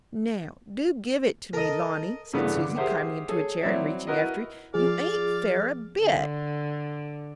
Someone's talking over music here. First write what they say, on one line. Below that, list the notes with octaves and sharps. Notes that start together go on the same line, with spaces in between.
"Now, do give it to me, Lonnie," said Susy, climbing into a chair, and reaching after it; "you ain't fair a bit."
A4 A#4 D#5
G2 C#3 E3 A3 B3 D4
D3 D6
G4 G#4 A#4 C5 E5 F#5
G#4 A4 C#5
F#3 C4 E4 D5 E5
E4 F#4 A#4 B4 D#5
F3 G#4 D5 F5
D3